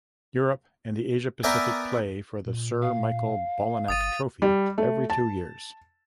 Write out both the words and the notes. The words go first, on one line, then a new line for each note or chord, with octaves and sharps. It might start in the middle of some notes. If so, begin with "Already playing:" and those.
Europe and the Asia-Pacific play for the Sir Michael Bonallack Trophy every two years.
B3 A#4 D5 E5 G5 G#5
A#2
F5
G1 D#6 A6 D#7
G3
A3
A5